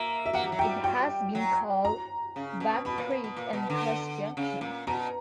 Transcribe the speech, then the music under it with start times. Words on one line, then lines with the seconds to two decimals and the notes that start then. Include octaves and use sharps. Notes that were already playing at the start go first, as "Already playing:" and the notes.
It has been called Back Creek and Cross Junction.
Already playing: A#3 E5
0.26 E5
0.33 A#3 F#5
0.43 G3
0.52 F#3
0.59 G3 G5
0.84 G5
1.35 F#3
1.85 A#5
2.36 C#3
2.60 B2
2.85 B2 B5
2.98 A#2
3.11 B2
3.24 B2
3.37 A#2
3.53 B2
3.70 D3
4.37 C#3
4.61 A#2
4.87 B2 A#5